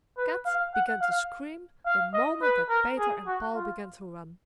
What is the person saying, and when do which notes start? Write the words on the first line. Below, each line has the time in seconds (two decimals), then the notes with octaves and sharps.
Kat began to scream the moment that Peter and Paul began to run.
0.17 B4
0.45 F5
0.74 F#5
1.01 F5
1.86 F5
2.13 D#5
2.42 B4
2.69 A#4
2.98 G#4
3.27 F#4
3.55 F4